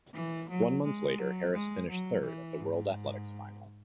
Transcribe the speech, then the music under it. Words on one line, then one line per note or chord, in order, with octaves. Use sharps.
One month later Harris finished third at the World Athletics Final.
E3
F#3
G#3
F#3
G#3
F#3
E3
G#2